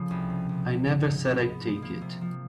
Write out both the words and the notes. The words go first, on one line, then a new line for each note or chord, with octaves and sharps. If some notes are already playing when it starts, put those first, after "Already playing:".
I never said I'd take it.
Already playing: C#3 F3 A3
C2
C3
C2
C3
G#2
G#2
B3
B3
F3
A#3
C3
F3